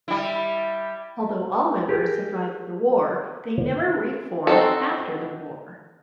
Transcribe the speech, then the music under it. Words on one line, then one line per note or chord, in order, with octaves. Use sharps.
Although all members survived the war, they never re-formed after the war.
G3 E4
G4 G#4 A#4
C4 D#4 F#4 A4